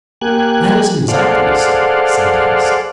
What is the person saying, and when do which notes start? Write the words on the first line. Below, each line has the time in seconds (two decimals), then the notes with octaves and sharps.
"That is exactly so," said Tennyson.
0.21 A#3 G4 G#5 F#6
1.08 G#4 A4 C5 D5 F5 F#5